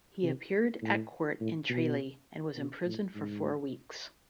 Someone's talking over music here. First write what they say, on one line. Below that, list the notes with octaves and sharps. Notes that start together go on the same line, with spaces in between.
He appeared at court in Tralee and was imprisoned for four weeks.
C3
A2
A2
B2
B2
A2
G#2